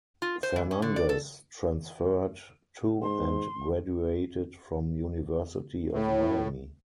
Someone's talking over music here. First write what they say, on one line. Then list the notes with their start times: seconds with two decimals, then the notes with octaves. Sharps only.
Fernandez transferred to and graduated from University of Miami.
0.22 F4
0.43 C5
0.56 E3
0.71 C#4
0.82 D3
0.96 D5
1.09 A4
3.02 G#2 C6
5.92 A2